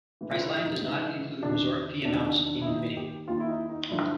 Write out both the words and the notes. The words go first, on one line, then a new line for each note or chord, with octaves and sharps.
Priceline does not include resort fee amounts in the bidding.
G#2 E3
F4
E4
D#4
G#2 E3 D#4
E2 C3 D#3 D4
E2 C3 D#3 D4
D4
D4
E4
D#2 D#3 D#4
G4
D#2 D#3 F4
E4
D#4
D#4
G2 D3 F3 E4